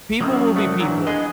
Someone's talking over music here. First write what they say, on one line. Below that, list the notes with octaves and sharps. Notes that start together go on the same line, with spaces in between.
"People will be people
A2 D#3 F#3 A#3 C#4 D#6 E6
C2 G#3 A3 F#5
A#2 E3 F#3 D4
G#3 B3 G#4 D#5